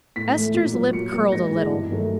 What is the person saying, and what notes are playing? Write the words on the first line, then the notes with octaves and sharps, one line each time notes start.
Ester's lip curled a little.
A2 B6
E3 A3
A#2
F#3 A#3
A#2 C#7
F#3 A#3
G#2 A#6
E3 G#3
G2
D#3 F#3 A3